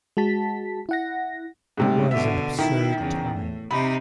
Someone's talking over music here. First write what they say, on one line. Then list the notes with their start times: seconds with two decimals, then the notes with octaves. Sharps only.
It was an absurd time.
0.17 G#3 F#4 A5 B6
0.89 E4 F#5 A#6
1.78 G#2 C3 G3 A3
2.11 B2 D3 E5
2.59 D#3 E4
2.97 E2 C#3
3.32 A2
3.71 C3 D#4 B5